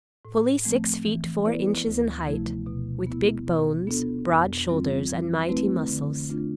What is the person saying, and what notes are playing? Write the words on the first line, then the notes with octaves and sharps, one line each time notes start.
Fully six feet four inches in height, with big bones, broad shoulders, and mighty muscles.
A2
F3 A3 C4
E3
B3 E4 B4 D5
D2
C3 F3 A3 E4
B2
B3 E4
B2
B3 D4 F4 A4
F2
E3 G3 C4 F4
F3
A3 C4 E4 B4
D3
A3 D4 F4